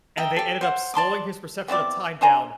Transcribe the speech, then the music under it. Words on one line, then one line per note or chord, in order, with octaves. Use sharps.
and they ended up slowing his perception of time down
D#5 E5 G5 A#5
G4 A4
C5 F#5
D5 A5 C6 D6
B3 C4 E4 D5
D4 C5 G#5 A#5